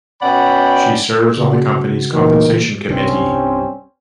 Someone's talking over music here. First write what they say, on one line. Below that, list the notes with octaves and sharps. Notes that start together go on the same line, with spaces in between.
She serves on the company's compensation committee.
B2 C#4 D5 F#5 G5 B5
C#3 F#4
A#2 D#3 E3
C2 G2 C3 G3 C4 C#4